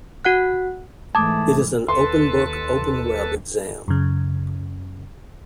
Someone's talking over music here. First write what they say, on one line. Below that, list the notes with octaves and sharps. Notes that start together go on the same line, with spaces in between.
It is an "Open-Book, Open-Web" exam.
F#4 F#5 F#6
G#2 E3 A3 A5 D6 D#6 G#6
D#2 A4 B4 A5 C6
F#2 C#3